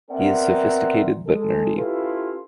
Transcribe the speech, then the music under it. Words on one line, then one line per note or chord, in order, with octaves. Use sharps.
He is sophisticated but nerdy.
B3 C4 A#4 D5 E5 F#5
G#3 A4
C#4 E4 F4 G4 A4 B4